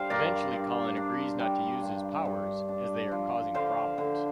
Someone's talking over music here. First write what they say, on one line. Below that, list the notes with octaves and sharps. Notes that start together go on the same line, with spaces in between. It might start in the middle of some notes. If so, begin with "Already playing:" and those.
Eventually Colin agrees not to use his powers, as they are causing problems.
Already playing: G3 D4 C5 F5
G2 A#4 D5
G2
D4
G3
G2
G2
D4
F3
D3 C5 F5
D3